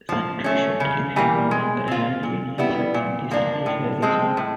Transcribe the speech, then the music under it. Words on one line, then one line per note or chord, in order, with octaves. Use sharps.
Sunraysia Television no longer had any assets in the Sunraysia region.
F3
A3 C#4
C#3
E3 G3 A#3
G#3
C4 F4
A#2
G3 B3 E4
A#2
F3 A#3 D4
A2
F3 G#3 C4
A2